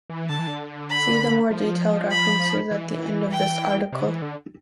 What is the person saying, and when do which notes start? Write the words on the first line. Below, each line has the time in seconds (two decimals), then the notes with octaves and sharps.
See the more detailed references at the end of this article.
0.10 E3
0.29 D3 A5
0.39 E3
0.47 D3
0.89 B5
1.51 F3
2.10 B5
2.71 E3
3.32 G5
3.93 C3
4.01 D3
4.07 E3
4.22 D3